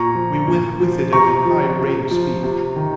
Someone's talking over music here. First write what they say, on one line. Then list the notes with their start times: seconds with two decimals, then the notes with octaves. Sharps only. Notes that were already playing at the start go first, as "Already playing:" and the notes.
We went with it at a high rate of speed.
Already playing: A#2 A#5 C#6
0.15 F3
0.47 A#2
0.80 F3
1.13 C3 A#5 C#6
1.45 F3
1.79 C3
2.11 F3
2.43 C3
2.76 D#3